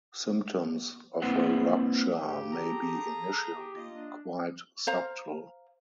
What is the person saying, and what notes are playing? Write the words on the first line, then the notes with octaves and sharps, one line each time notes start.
Symptoms of a rupture may be initially quite subtle.
A#3 C4 E4 B4 C5 F#5
G#2 C#3 G4
G#4 A4 A#5
G4
A#3 F4 D#5
D4
C5 F5 A#5